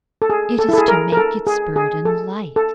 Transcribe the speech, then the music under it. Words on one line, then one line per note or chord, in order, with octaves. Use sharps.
It is to make its burden light.
A4
G#4
A4
E4
A4
G#4
A#4
A#4
A4
G#4
G#4
A4
A4